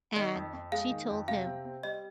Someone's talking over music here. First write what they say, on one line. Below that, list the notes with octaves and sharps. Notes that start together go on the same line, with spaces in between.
and she told him,
D#3 D#5
F2
F2
G#3 F5
D#3
F2
C3 F5
C4
C4
G3 D#5